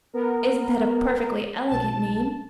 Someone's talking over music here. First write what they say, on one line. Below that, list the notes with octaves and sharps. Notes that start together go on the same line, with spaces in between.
Isn't that a perfectly elegant name?
B3 A#4
B1 A5